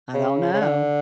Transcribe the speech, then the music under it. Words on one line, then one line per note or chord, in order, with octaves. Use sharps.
I don't know.
C#3
C#3
D3